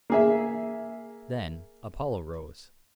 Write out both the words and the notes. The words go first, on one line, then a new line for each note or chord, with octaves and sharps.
Then Apollo rose.
A#3 G#4 E5